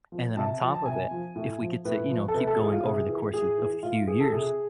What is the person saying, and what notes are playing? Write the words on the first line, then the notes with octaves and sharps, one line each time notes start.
And then on top of it, if we get to, you know, keep going over the course of of a few years,
F3
C3 A5
F3
A5
C3 G#5
F3
A2
F3
A2 B4
F3
A4
C3 B4
A4
E3 G#4
F4
C3 G#4
E3
A2 G#4
E3
A2 F4
E3 G#4
A4
C3 G#4